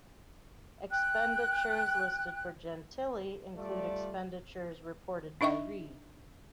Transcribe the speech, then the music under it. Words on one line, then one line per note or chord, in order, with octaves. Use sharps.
Expenditures listed for Gentili include expenditures reported by Reid.
G5 F#6
G3 A3 F4 D5
D4 D#4 D#5 E5 C#6